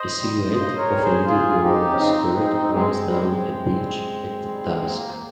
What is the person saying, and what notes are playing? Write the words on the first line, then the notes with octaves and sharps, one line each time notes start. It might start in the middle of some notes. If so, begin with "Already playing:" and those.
The silhouette of a little girl in a skirt runs down a beach at dusk.
Already playing: C5 D#5
G3
C#3 C5 D#5
A#4 C#5
G3
G#4 C5
C#3 F4 G#4
F4
F3 G#3 D#4 G4
C#4
C#3 C4 D#4
F3 G#3 C4 D#4
C3 G#3 C4
G3 G#3 C4
C3
G3
A#2
G3
A#2 A#3
A#3